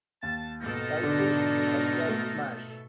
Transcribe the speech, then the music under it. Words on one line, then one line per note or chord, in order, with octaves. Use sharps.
Titles such as Smash!
D#2 A5
G#2 B2 D#4 F4 A4 A#4
D3 D4
A3